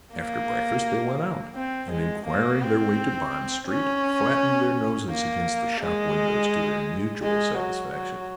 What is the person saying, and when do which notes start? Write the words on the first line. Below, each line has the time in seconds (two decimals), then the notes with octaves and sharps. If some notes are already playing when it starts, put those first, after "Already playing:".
After breakfast they went out, and, inquiring their way to Bond Street, flattened their noses against the shop windows to their mutual satisfaction.
0.13 A#3
1.56 C4
1.91 G#3
2.27 A#3
2.62 C4
3.68 C#4
5.10 A#3
5.81 G#3
7.23 G#3
7.59 F#3
7.94 F#3